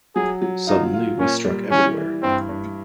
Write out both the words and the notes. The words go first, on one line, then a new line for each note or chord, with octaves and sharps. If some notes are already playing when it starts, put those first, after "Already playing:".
Suddenly we struck everywhere.
F#3 G#4
F#3
D#4 F4
F4
A#2 C#4
G3
E3 C#4
E3
G2 C4
G2